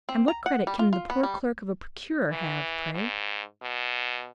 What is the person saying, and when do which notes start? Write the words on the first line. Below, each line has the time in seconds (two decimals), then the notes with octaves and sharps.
"And what credit can the poor clerk of a procurer have, pray?"
0.09 C4
0.28 A#5
0.46 F#5
0.67 G3
0.79 F4
0.93 F4
1.10 B3
1.23 G3
2.30 E3
2.94 G#2
3.62 B2